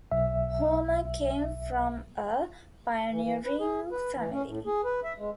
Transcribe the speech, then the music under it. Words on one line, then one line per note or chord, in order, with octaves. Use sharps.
Homer came from a pioneering family.
B1 E5
E3
E3
B4
G#4
B4
E3
C#4
A2
G#4
B4
E5
G#3